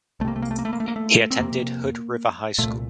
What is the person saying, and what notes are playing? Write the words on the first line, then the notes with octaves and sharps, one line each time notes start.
He attended Hood River High School.
C2 C3 A3 A#3
A3
A#3
A3
A#3
A3
A#3
A3
A#3
A3
C4
F2 C3 A#3
C2 A#2 A3